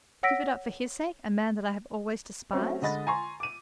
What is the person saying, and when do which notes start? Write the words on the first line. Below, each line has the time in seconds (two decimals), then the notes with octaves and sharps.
"Give it up for his sake,--a man that I have always despised?"
0.23 C#5 F#5 E6 A#6 B6 D7
2.53 F#3 A3 C4 C#4
2.82 D3 G#3 D#5 B5 A6
3.07 G#5 A#5 C6 C#6
3.40 D6 D#7